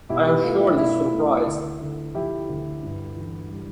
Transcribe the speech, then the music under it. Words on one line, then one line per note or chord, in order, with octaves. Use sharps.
I am surely surprised.
B2 E4 G4
G4 B4
A3 F4
F4
E4
B2 E4
A3
D2
D3
F3 E4 G4
D2
G2
E3
G3